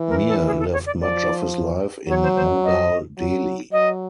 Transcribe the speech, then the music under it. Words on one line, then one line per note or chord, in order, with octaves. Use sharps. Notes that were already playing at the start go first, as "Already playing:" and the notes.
Mir lived much of his life in Mughal Delhi.
Already playing: E3
A#4
A4
G#4
A4
C#5
D5
F3 D5
F#3 C#5
C5
C5
D#5
F#3
F#3 D#5